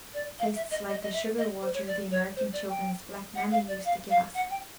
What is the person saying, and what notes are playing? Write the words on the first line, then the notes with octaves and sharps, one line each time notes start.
"It tastes like the sugar-water the American children's black mammy used to give us."
D5
F5
E5
D#5
D#5
D#5
E5
D#5
C5
C#5
D5
C#5
C5
D5
G5
F#5
F5
D5
F5
F5
F#5
G5